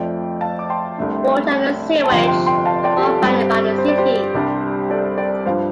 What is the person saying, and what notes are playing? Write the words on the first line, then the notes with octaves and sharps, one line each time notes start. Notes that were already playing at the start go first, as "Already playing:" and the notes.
Water and sewage are provided by the city.
Already playing: F2 F3 A3 C4 D5 G5
F5 A5
D6
G5 C6
C2 C3 A3 D4
A5
G1 F2 C3 F3 G5 C6
G5 C6
G5 C6
F5 A5
D5 G5
G4
A4
G2 G3 C4 G4
C5
D5
G4 C5
C2 C3 G3 D4
A4 D5
D5 G5
G2 F3 D4 C5 F5